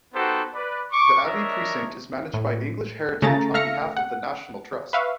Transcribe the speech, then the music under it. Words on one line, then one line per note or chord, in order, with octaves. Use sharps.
The Abbey precinct is managed by English Heritage on behalf of the National Trust.
B3 D#4 F#4 G4 A4 C5
B4 D5
C#6 D6
D4 A#4 C#5 D#5 E5
A2
C#3 A3 A#5 A6
A3 E5 F5 F6 A#6 C#7
F#5
B4 E5 F5 C#6